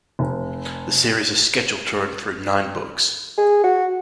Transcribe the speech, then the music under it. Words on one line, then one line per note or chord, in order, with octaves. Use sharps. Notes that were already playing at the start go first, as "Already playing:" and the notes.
The series is scheduled to run through nine books.
F1
G#4
F#4